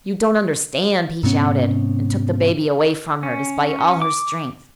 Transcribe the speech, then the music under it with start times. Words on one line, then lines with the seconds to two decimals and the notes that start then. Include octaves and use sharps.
"You don't understand!" he shouted, and took the baby away from her, despite all her strength.
1.23 G#2 C3 B3 C#4
3.23 C#4
4.02 D6